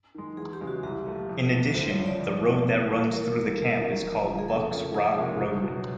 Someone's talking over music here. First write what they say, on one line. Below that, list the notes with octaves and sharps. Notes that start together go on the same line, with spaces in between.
In addition, the road that runs through the camp is called Buck's Rock Road.
D#3 G#3
E2 G#4
G4
C#3 E3 G#3
F#4
C2 G4
A#2 F3 A3
F2
C3 E3
D2 C5
C#5
C#3 F3
D5
F2
C3 E3
C#3
E3 G3 B3
E2 A#4
B2 G3 A#3 D#4
D#2
D#3 F#3 A#3 C#4
F2
D3 F3
G#4
F2 A4
C#3 F3 A#3 C#4
F2 G#4
C3 F3 A#3 C#4
C#2
B2 F#3